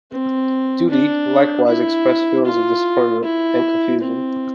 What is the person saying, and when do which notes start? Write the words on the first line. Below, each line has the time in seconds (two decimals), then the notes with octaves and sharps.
"Duty" likewise expressed feelings of disappointment and confusion.
0.12 C4
0.89 D4
1.67 E4
2.46 F4
3.23 E4
4.01 C4